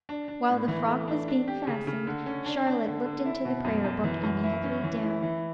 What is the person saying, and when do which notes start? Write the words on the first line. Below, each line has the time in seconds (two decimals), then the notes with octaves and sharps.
While the frock was being fastened, Charlotte looked into the Prayer-book Amy had laid down.
0.09 D4
0.28 D4
0.49 A2
0.68 E3
0.88 A3
1.07 D4
1.28 D4
1.48 G4
1.67 C#3
1.87 C#3
2.07 D3
2.26 C#4
2.46 D4
2.66 D4
2.86 D3
3.05 D3
3.25 E4
3.45 B2
3.64 F#2
3.84 F#2
4.04 E3
4.23 F#2
4.44 E4
4.64 C#4
4.84 E3
5.04 E4
5.23 E3